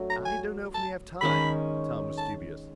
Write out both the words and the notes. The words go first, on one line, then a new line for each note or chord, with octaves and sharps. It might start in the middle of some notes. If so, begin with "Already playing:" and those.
"I don't know if we have time." Tom was dubious.
Already playing: F#3 A3 D4
A#5
G#5
A5
D#3 G#3 C#4 B5
A5